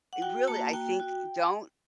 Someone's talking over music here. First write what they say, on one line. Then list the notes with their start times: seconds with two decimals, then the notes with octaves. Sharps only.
eh really, I think, don't
0.13 F#5
0.22 F#4 G5
0.48 A#3 A5
0.73 F#4 G5
1.00 F#4